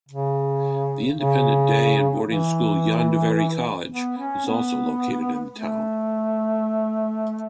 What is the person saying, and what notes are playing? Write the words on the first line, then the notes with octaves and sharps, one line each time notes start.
The independent day and boarding school Llandovery College is also located in the town.
C#3
C#3
E3
B3
C#4
B3
A3